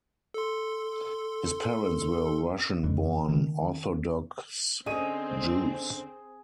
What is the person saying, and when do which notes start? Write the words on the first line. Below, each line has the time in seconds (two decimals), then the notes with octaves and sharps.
His parents were Russian-born Orthodox Jews.
0.34 A4 C6
2.84 F2
3.29 D#3
4.86 D3 C4 C#4 G#4 D#5 D#7